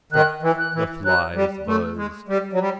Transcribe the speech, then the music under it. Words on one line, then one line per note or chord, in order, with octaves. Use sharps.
Stuck, the flies buzzed.
D#3 F#6
E3
F#6
E3
F#3 F#6
G3
A3
G#3
G3
F#3
G3